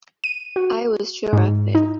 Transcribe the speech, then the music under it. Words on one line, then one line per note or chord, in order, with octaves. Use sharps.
I was sure of it.
D#7
F#4
G#2
D#4